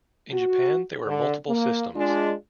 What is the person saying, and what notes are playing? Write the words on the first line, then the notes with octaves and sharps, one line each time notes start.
In Japan there were multiple systems.
F#4
D3
A#3
G#3 D4 F4